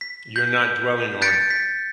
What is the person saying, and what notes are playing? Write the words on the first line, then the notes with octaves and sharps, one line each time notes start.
you're not dwelling on
B6
G6
F#6 G6 A6 B6 C#7 D7
B6